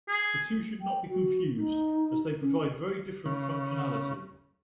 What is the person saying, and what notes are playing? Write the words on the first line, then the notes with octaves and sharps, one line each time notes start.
The two should not be confused as they provide very different functionality.
G#4
G5
F#4
D#4
C#4
C#3